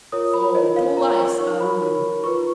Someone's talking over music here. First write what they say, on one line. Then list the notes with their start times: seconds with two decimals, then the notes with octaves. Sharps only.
So two lives are ruined!
0.12 F4 A#4 C#5 D#6
0.34 B5
0.55 F4 A#4 C#5 D#5
0.76 F5
0.97 F4 A#4 C#5 A#5
1.18 C#6
1.39 D#4 A#4 C#5 C#6
1.60 B5
1.81 D#4 A#4 C#5
2.24 F4 B4 C#6